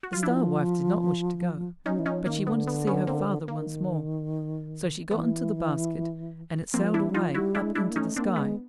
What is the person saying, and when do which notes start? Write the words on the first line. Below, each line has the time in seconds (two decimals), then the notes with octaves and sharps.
The Star-wife did not wish to go, but she wanted to see her father once more, so she got into the basket and it sailed away up into the sky.
0.03 F#4
0.13 F#3 F4
0.23 F3 D4 E4
1.86 F#3 C#4 D#4
1.99 E3
2.06 F3 C#4 D#4
2.26 D#3 A#3
2.47 D3 B3
2.67 B3
2.87 B3 C#4
3.07 A#3 C4
3.48 D#3 A#3
5.11 E3 B3
6.74 F3 A#3 C4
6.94 E3 D4 E4
7.10 F#3
7.14 F3 D#4 F4
7.34 G3 E4 F#4
7.55 G#3 D4 E4
7.75 G#3 D4 E4
7.90 A#3
7.96 A3 C#4 D#4
8.16 A#3 C4 D4
8.36 G#3 B3